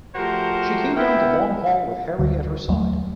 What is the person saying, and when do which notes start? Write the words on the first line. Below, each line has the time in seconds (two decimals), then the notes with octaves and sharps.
She came down the long hall with Harry at her side.
0.16 F3 A3 F#4 G4 A#4 C5
0.96 B3 E4 A#4 G5
2.18 D2 D3 G3
2.68 D#2 F#3 A3